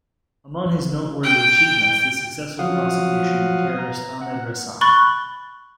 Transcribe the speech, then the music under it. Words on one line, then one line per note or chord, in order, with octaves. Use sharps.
Among his noteworthy achievements the successful prosecution of terrorist Ahmed Ressam.
G5
F3 F#3 F5 F#5 D#6
A#5
F#5
B5 C#6 F#6 A6 G7